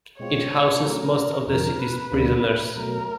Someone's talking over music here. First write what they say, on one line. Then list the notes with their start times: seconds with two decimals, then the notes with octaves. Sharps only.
It houses most of the city's prisoners.
0.19 B2 G#3 C4 F4 C#5
0.83 D3 F#3 A3 C#4 A#4
1.47 F2 D3 F3 A#4
1.79 B4
2.12 D2 D3 F3 A#3 D4
2.75 B2 F#3 A3 A#4